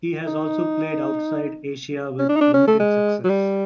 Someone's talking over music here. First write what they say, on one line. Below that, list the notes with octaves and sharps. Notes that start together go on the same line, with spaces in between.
He has also played outside Asia with limited success.
D#4
C#4
D4
D#4
D4
C#4
A3
G#3
F#3
G3